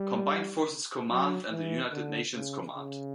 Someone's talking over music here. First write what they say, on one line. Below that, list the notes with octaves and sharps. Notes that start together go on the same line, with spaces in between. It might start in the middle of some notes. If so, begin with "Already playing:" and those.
Combined Forces Command, and the United Nations Command.
Already playing: G3
F#3
E3
D3
C#3
C#3